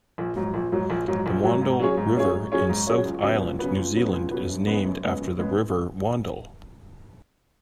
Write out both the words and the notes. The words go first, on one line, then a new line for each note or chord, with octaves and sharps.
The Wandle River in South Island, New Zealand is named after the River Wandle.
A#1
G#2 F#3
A#1
G#2 F#3
A#1
G#2 F#3
A#1
G#2 F#3
G#2
F#3 C#4 G#4 C#5
G#2
F#3 C#4 G#4 C#5
G#2
F#3 C#4 G#4 C#5
G#2
F#3 C#4 G#4 C#5
C#2
C#3 F#3 B3
C#2
C#3 F#3 B3
C#2
C#3 F#3 B3
C#2
C#3 F#3 B3
F#2
C#3 G#3 B3
F#2
C#3 G#3 B3
F#2
C#3 G#3 B3